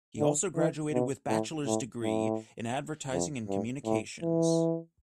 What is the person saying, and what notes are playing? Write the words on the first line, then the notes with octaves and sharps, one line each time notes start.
He also graduated with Bachelor's degree in Advertising and Communications.
D3
E3
B2
A2
A2
A2
F2
G2
A2
E3